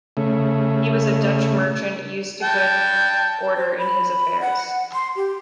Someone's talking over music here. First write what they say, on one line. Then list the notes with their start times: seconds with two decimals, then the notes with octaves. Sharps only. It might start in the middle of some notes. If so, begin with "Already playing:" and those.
He was a Dutch merchant, used to good order in his affairs.
0.17 C#3 A3
2.43 G5 A5
3.56 C5
3.78 B5
4.41 F#5
4.94 C6
5.16 G4